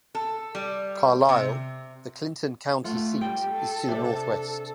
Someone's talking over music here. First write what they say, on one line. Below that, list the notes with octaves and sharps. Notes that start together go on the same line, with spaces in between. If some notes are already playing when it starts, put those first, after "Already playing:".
Carlyle, the Clinton County seat, is to the northwest.
A4
G3
C3
A3 F4 F#5
G3 G5
A4
C3 D4